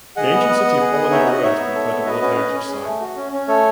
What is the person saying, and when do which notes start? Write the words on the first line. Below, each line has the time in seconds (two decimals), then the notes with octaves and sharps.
The "Ancient City of Polonnaruwa" has been declared a World Heritage Site.
0.16 G#4 D#5 F#5
0.33 B3
0.49 B3
0.64 B3
0.80 G#4
0.95 B3
1.11 D#4 C#5 E5
1.26 F#4 D#5 F#5
1.43 D#4 C#5 E5
1.58 B3
1.75 A4
1.90 B3
2.06 F#4 B4 D#5
2.22 C#4
2.38 C#4
2.53 C#4
2.68 G#4
2.85 A3
3.00 F#4
3.16 C#4
3.32 C#4
3.48 A3 A4 C#5